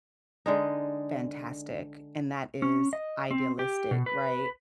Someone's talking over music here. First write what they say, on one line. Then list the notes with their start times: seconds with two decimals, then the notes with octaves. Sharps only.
fantastic, and that is idealistic, right?
0.46 D3 G#3 D#4
2.62 C#4
2.93 D#5
3.31 C4
3.59 G4
3.91 B2
4.06 B4